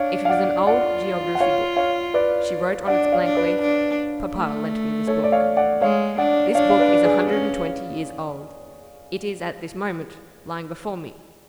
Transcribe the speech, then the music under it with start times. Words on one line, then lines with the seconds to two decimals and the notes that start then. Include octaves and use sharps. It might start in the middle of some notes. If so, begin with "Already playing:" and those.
It was an old geography-book; she wrote on its blank leaf, 'Papa lent me this book.' This book is a hundred and twenty years old; it is at this moment lying before me.
Already playing: D4 C#5 F5
0.25 F5
0.29 D5 F#5
0.66 F4 D5 F#5
1.35 F#5
1.40 C#5 F5
1.76 C#5 F5
2.14 B4 D5
2.87 D4 D5 F#5
3.04 D5
3.12 C#5 F5
3.24 D4
3.36 B4 D5
3.61 D4
4.34 A3
5.07 A4 C#5
5.24 D5
5.32 C#5 F5
5.57 D5 F#5
5.82 G#3 C#5 F5
6.18 D4 D5 F#5
6.55 D4 C#5 F5
6.70 F5
6.79 B4 D5
7.05 G#4 B4
7.29 C#4